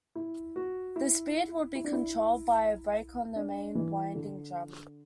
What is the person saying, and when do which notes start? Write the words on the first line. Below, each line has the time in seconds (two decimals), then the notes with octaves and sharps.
The speed would be controlled by a brake on the main winding drum.
0.15 E4
0.56 F#4
0.96 E4
1.75 E4
1.84 D4
1.93 E4
3.36 D4
3.75 E3
4.15 D3